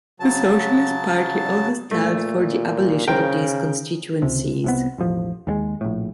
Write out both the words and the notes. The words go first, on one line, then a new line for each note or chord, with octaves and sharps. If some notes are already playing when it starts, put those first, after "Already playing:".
The Socialist Party also stand for the abolition of these constituencies.
C#3 F#3 A5
A#2 A3
C#3 A#4 C5 G5
C#2 C3
C2 C3 B3
E1 A1 F3
D#2 G3 G#3
A#1 A2